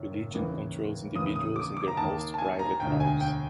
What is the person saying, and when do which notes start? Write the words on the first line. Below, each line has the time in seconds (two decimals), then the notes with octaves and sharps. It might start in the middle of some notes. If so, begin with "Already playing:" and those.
Religion controls individuals in their most private lives.
Already playing: F#1 F#2 D#3
0.33 D#2 C#3 E3
1.15 D#2 C#3 E3 D#6
1.36 D#6
1.56 D6
1.77 D6
1.88 A#5
1.97 D#2 D#3 A5
2.34 A5
2.38 G#5
2.59 A#5
2.80 E1 D2 D3 G5
3.00 G#5
3.21 G5